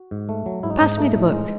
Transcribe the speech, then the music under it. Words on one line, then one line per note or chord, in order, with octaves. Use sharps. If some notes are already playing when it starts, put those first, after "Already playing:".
Pass me the book.
Already playing: F#4
G#2
A3
F#3
G#2 E4
D#4
C#4
G#2 D#4
A3
A2
G#3